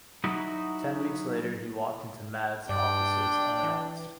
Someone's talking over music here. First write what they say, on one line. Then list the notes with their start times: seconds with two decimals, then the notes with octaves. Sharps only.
Ten weeks later, he walked into "Mad"'s offices unannounced.
0.24 F#3 D#4 E4 F#4
2.69 G2 D4 D5 G5
3.63 E3